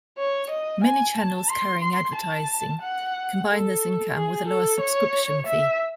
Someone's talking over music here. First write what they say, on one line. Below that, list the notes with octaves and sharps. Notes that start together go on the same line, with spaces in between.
Many channels carrying advertising combine this income with a lower subscription fee.
C#5
D#5
G#5
A5
C6
C6
A5
F#5
A4
G#4
A4
C#5
E5